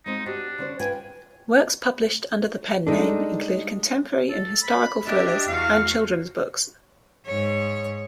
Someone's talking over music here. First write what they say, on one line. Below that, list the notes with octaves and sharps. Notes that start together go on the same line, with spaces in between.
Works published under the pen name include contemporary and historical thrillers, and children's books.
G#3 C4 D#4 F4
D4 F#4 G4 C5
D3 C#4 C5
F4 B4 G5 G#5
G3 G#3 D4 D#4 A4
A4
B5
D4 G4 D#5 E5
E2 F#4 F5
G#2 C#5